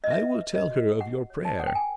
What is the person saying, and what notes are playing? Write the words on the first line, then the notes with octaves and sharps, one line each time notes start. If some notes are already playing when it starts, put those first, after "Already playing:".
I will tell her of your prayer.'
D#5
B4 E5
B4
D#5
F#4
G4 F#5
C#5
A5
A#4 F#5
G5
G#5